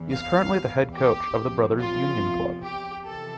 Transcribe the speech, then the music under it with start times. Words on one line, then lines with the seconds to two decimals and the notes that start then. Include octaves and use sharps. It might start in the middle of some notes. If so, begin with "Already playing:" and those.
He is currently the head coach of the Brothers Union club.
Already playing: E2 E3
0.11 F5
0.95 G4
1.38 E2 C3 F3
1.79 F4
2.64 G4
3.05 F2 C3 E3 A4